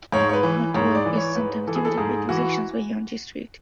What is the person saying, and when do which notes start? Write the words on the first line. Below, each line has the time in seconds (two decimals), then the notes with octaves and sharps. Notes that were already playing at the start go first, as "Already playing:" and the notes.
North York is sometimes divided by two sections by Yonge Street.
0.12 G#2 C#5
0.29 C#5
0.33 B4
0.43 E3
0.74 G#2 C#5
0.95 D5
1.05 E3
1.16 C#5
1.36 G#2 B4
1.67 E3 A4
1.75 G#4
1.85 A4
1.98 G#2 G#4
2.29 E3 F#4